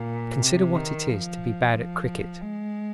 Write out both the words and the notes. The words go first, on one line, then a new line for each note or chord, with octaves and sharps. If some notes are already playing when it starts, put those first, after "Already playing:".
Consider what it is to be bad at cricket.
Already playing: A#2
C3
D#3
F3
F3
G#3